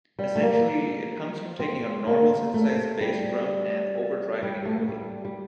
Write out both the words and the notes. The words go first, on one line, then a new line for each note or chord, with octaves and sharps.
Essentially, it comes from taking a normal synthesized bass drum and over-driving it heavily.
G3
A3
A#3
C4
A#3
A3
G3
G3
A3
A3
G3
G3